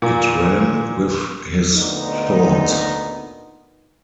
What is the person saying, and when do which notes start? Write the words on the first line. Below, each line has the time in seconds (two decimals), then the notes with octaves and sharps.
It ran with his thoughts.
0.02 A#2
1.74 D2 A#2 B3 D#4